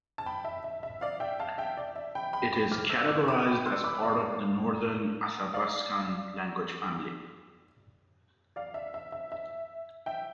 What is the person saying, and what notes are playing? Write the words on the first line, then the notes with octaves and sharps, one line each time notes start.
It is categorized as part of the Northern Athabaskan language family.
A5
G5 B5
E5
E5
E5
D5 F5
E5 G5
F5 A5
E5 G5
D5
E5
G5 B5
G5 B5
G5 B5
D6 F6
E6 G6
D6 F6
B5 D6
G5 B5
C6 E6
B5 D6
D5 F5
D5 F5
D5 F5
E5
E5
E5
E5
E5 G5